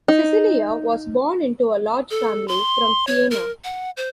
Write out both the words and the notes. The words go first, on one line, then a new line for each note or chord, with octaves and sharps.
Cecilia was born into a large family from Siena.
D#4
A4
C6
C#5
A#4
F#5
C5